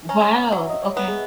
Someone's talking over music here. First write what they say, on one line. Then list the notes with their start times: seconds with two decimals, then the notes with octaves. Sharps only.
Wow, okay.
0.09 C#4 A#5
0.52 F#3 E5
0.70 D#5
0.83 C#5
0.96 B3 B4
1.08 G#4